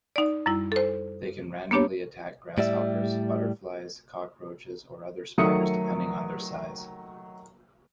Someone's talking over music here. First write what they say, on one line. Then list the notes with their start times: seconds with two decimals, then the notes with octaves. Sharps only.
They can randomly attack grasshoppers, butterflies, cockroaches or other spiders depending on their size.
0.16 D#4 D5
0.46 F#2 G3 E4
0.72 A4 C5
1.71 A#3 B3 D4 G4 C#5
2.58 A2 G3 D5 E5
5.38 D#3 F#3 A3 E5 D#6 C#7